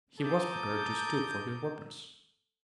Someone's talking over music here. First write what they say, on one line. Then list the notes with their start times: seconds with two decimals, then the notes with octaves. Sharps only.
He was prepared to stoop for his weapons.
0.18 A4 A#4 A#5 D6 D#6 G6